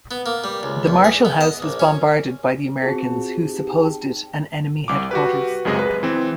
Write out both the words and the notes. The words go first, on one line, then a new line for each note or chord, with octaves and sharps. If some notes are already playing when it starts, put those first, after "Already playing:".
The Marshall House was bombarded by the Americans who supposed it an enemy headquarters.
B3
A#3
G3
C#2
E2
G#4
B3
D#5
A#1
C#4
C4 F4 F#4 G#4 A5
D#4 G4
G5 A5
C2 D6
F#4 G4 B4
C#2 F#2 C3 G#3 G#4 D#5
B4
E3 C4